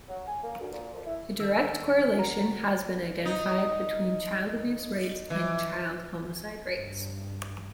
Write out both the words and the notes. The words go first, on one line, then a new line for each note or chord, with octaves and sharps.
A direct correlation has been identified between child abuse rates and child homicide rates.
F#3
G#5
A#3
D2
A#2
F2
E4
D#3 A4 E6
F#4 A#5
D#4
E3
G2